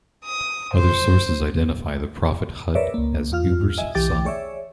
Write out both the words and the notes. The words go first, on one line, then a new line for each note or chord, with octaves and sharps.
Other sources identify the prophet Hud as Eber's son.
D#6
C5
A#4 B4 C#5 D5 E5
C#2 A#3
E2 F4 F6
D#5 E5 G#5
B1 E3 G4 G5 D6 A6
G#4 C#5 D5 E5